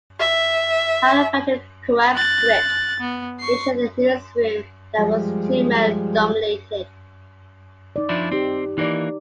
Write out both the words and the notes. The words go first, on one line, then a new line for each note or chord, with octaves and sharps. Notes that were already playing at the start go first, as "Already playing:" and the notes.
Howard felt the Koepps' script featured a newsroom that was too male-dominated.
E5
F#6 A6
B3
C#6 C7
F3 G3 G#3
D#4 D5
F3 D4 E4
C4 D#4 G4
E3 A#3 D#4 D5